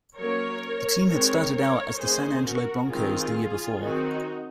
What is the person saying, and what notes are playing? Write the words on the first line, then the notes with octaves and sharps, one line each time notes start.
The team had started out as the San Angelo Bronchos the year before.
F#3 A#3 C#4 A#4 C#5
D#3 G#3 C4 A#4 C#5
A#4 C#5
D#3 A#3 C#4 G#4 C5
F#4 A#4
D#3 G#3 C4 F4 G#4
D#3 F#3 C4 D#4 F#4